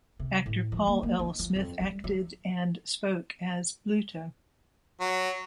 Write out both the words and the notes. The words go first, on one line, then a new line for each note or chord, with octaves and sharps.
Actor Paul L. Smith acted and spoke as Bluto.
C3
A2
F3
A#3
A#3
D#4
F3
F2
G3
F#3
F#3